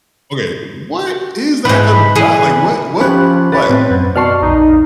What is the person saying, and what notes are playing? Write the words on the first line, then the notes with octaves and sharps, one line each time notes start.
Okay, what is that about, like, what what what?
G#2 E3 B4
E3 G#4
F3 C#4 G4 B5 F#6
B4 C#5 A6
A2 C4
F#2
B2 D5 A5 C#6 F6 C7
A#1 E2 D#4